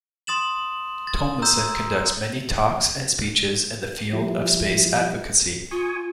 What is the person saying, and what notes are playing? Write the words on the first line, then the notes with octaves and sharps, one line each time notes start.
Tumlinson conducts many talks and speeches in the field of space advocacy.
C6 D#6 A6 E7 F#7
A6
A#5 E6 G6
F3 G3 E4
F4 G#5 C#6 D#6